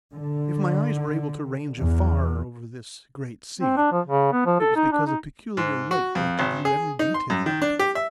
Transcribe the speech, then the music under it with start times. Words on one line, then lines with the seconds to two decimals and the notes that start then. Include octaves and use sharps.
If my eyes were able to range afar over this great sea, it was because a peculiar light brought to view every detail of it.
0.13 D3
1.79 E2
3.59 C4
3.77 D4
3.92 F3
4.07 C#3
4.33 B3
4.46 F3
4.60 A4
4.76 D#4
4.92 D4
5.07 D#4
5.57 G#2
5.91 F#4
6.15 F2
6.39 G#1
6.65 G#4
6.99 D#4
7.14 C6
7.30 F#2
7.46 D#3
7.62 D4
7.79 G4
7.95 E5